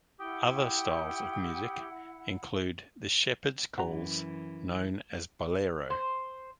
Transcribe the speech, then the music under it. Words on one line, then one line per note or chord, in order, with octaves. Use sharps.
Other styles of music include the shepherd's calls known as ballero.
E4 G4 F#5 G5 D#6
F#2 E3 F#4 A#5
C5